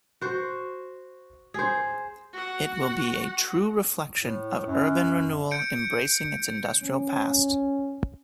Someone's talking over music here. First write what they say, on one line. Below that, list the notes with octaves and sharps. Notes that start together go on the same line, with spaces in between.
It will be a true reflection of urban renewal embracing its industrial past.
F#4 C5
G#4 C5
F#4 F#5
A2
F#2
G6 C#7 D7
C#4